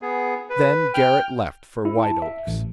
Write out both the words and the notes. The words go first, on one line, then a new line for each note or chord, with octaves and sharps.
Then Garrett left for White Oaks.
B3 G#4
B4
G5 F6
E4
A5
E5
A1